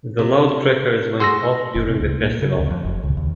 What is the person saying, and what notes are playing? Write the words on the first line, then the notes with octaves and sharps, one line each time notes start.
The loud crackers went off during the festival.
C3
F#4 G#4 C6 E6 A#6
F1
C3
C#2
A#2
C#3
D2
F2
F#1
C#2
D#2